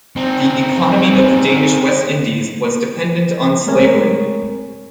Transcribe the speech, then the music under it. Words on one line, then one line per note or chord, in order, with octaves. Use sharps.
The economy of the Danish West Indies was dependent on slavery.
C4 D#4
G#3 A3 C4 A#4 C#5 G#5